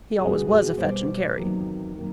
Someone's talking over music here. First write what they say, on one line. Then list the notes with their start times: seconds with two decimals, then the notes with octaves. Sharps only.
He always was a fetch-and-carry.
0.18 B2 G3 B3 F#4 G#4
0.47 F#4 G#4
0.77 B2 G3 B3 C5 D5
1.36 E2 C3 D#3 F#3 A#3
1.96 C3 D#3 F#3 A#3